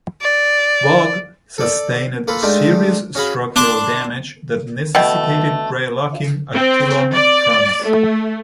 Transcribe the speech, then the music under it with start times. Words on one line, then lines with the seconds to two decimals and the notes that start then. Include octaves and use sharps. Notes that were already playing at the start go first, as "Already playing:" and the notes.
"Voge" sustained serious structural damage that necessitated drydocking at Toulon, France.
0.22 D5
1.58 A4 D5
2.28 A#3 F4 A4 B4
2.42 G#3 A3 D4 D#4 F4 G4
3.15 C#4 F#4 G#4 F5 B5
3.56 D4 C6 D6
4.95 B2 A3 G5
6.54 C4
7.13 D5
7.84 A3